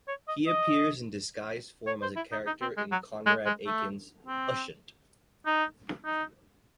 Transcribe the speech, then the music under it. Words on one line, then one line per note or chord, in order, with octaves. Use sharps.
He appears in disguised form as a character in Conrad Aiken's "Ushant".
C#5
D#5
D#5
C#5
C5
E4
D#4
D#4
C4
G#3
F#3
G#3
G#3
A3
C4
D#4
D#4